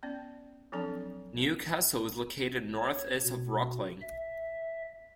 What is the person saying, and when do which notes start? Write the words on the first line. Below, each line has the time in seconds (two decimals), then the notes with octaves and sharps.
Newcastle is located northeast of Rocklin.
0.03 B3 C#4 D5
0.72 F3 F#3 C4 D4 A4 A5
2.77 C#5
3.23 B2
4.01 E5